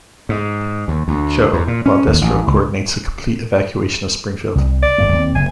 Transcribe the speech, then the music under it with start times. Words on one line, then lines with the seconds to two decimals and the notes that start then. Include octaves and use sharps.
Joe, while Destro coordinates a complete evacuation of Springfield.
0.29 G#2
0.88 D#2
1.08 D2
1.53 E2
1.68 A#2
1.86 C#4
2.07 D#2
2.21 A1
2.47 C#2
4.55 C2 G3
4.82 D5
4.98 G#1 G2 A3
5.12 D#2 A#3 C4
5.35 F#1 C3 G#5